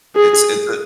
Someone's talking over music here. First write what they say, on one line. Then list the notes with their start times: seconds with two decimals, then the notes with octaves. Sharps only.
It's it's a
0.16 G#4